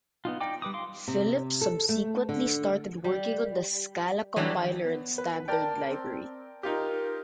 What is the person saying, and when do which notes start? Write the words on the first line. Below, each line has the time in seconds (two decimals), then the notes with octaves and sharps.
Phillips subsequently started working on the Scala compiler and standard library.
0.25 B3 D#4 F4
0.41 D#4 D5 G5 D6
0.62 G3 B4 D6 D#6
0.74 F5 C6 D6
1.08 C3
1.61 A4
1.89 A3
2.29 D3
3.04 G3
4.36 E3 F#3 G3 A3 D4
4.82 B3
5.18 B4
5.48 A#4 D5 G5 A5
5.88 C4
6.63 D#4 F4 G4 A#4